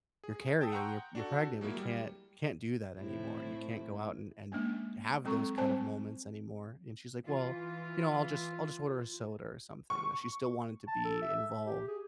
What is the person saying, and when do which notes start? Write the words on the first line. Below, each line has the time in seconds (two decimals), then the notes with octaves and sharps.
you're carrying, you're you're pregnant. We can't can't do that anymore. You can't go out and and have those kind of moments anymore." And she's like, "Well, you know, I'll just I'll just order a soda or something." You know? She still wanted to be involved
0.24 G#4
0.61 G5 A5 D#6 E6
0.72 F#5 G5 A#5 C6 C#6 G6
1.15 D4 F#4 A4
1.61 F#3 G#3 A#3 E4
1.77 G3
2.99 A2 C4 E4
4.52 G#3 A#3 C#4 D4
5.24 F#3 G#3 C4 A4 A#5 C#6
5.58 G3 C4 C5 G#5 A5
7.26 E3 F4
9.90 C#6
10.88 A5
11.05 A4
11.22 E5
11.65 G4
11.88 G#4